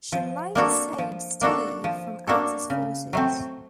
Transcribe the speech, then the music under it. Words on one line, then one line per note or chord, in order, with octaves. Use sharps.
She later saved Steve from Axis forces.
F3
A#3 D4 F#4 A4
F3
A#3 D4 F#4 A4
F3
A#3 D4 F#4 A4
C#3
F#3 A3 C4